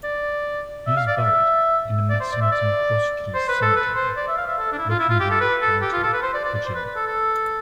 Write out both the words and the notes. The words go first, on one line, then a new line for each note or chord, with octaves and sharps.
He is buried in the Massanutten-Cross Keys Cemetery, Rockingham County, Virginia.
D5
E5
F5
D5
E5
D5
C5
D5
E5
D5
C5
B4
A4
B4
C5
D5
E5
F5
E5
A4
D4
E4
F4
E4
F4
G4
A4
B4
A4
G4
F4
A4
B4
C5
D5
D5
D5
C5
B4
B4
A4
A4